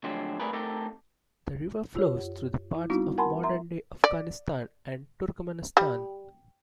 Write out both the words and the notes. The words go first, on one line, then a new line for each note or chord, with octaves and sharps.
The river flows through the parts of modern-day Afghanistan and Turkmenistan.
A2 D3 F3 F#3 G#3 C4
G3 A3 C4 G#4 A#4 B4
A3 C4 D#4 G4 A4 A#4
F4 G4 C#5
F#2
E4
G3 B3 C4 D#4 E4 F#4
A#4 F#5 G#5 A5 B5 C6
E5 A#5 C6
D5
G3